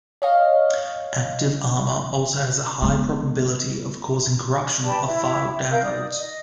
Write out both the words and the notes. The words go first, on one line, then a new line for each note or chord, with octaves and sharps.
ActiveArmor also has a high probability of causing corruption of file downloads.
C#5 D#5 F5
G#3 B3
G4 B4 D5 A5
E4 E5
A#4 F5 G6
D#4 D5 D#6
D#5